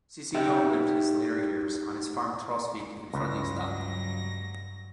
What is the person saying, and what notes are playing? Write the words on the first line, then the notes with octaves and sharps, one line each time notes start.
Cicignon lived his later years on his farm Trosvik in Fredrikstad.
D#4 G4 E5 G5
C#2 G2 F#3 A#6